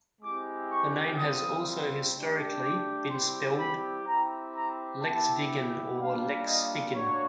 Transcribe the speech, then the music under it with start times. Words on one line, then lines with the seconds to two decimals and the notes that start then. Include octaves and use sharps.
The name has also, historically, been spelled "Lexvigen" or "Leksviken".
0.21 G#3 C4 E4 G4 D6
0.70 C#6
1.17 G3 C4 F4 D#6
2.14 A3 D4 G4
2.62 D6
3.10 G3 C4 E4 G4 C6
3.58 B5
4.05 C4 E4 G4 A#5
4.54 A#5
5.02 B3 E4 G4 A5
5.98 G3 A#3 D4 F4 F5
6.46 D#5
6.94 A#3 D4 F#4 C#5